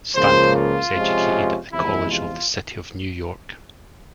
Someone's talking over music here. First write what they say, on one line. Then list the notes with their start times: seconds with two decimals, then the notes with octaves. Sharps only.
Stanton was educated at the College of the City of New York.
0.16 C#2 C#3 F3 A#3 C5
0.55 F4
0.95 C3 F3 G#3 C#4
1.72 E2 C3 F3 G#3 E4
2.12 F4